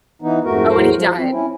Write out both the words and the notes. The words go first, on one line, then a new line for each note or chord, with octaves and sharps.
oh, and he died.
E3 B3 D#4
F2 G#2 A3 F#4 A#4
E2 A2 F#3 A#4 C5
F3
C4
C#4 E4